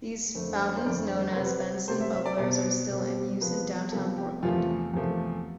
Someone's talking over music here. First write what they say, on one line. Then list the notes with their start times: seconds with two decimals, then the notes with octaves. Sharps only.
These fountains, known as "Benson Bubblers", are still in use in downtown Portland.
0.35 F2 D3 A3 C4
0.76 C5
0.85 F2 D3 A3 C4 D5
1.31 C5
1.36 C3 G3 C4 B4
1.87 C3 G3 C4 C5
2.01 E5
2.13 E5
2.26 D5
2.38 B2 G3 C4 D5
2.90 B2 G3 C4
3.41 C3 F3 B3 B4
3.92 C3 F3 B3 A4
4.17 G4
4.43 E2 C3 F3 A3 F4
4.94 E2 C3 F3 A3